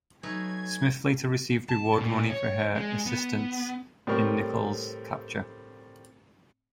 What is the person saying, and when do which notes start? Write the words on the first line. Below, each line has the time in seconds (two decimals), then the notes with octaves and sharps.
Smith later received reward money for her assistance in Nichols's capture.
0.23 F#3 A3 D#4 B4 G#5 G#6
1.69 A5
1.97 A#2
2.30 C#5
2.75 G#3
3.06 B3
4.07 A2 G3 C4 A#4 C#6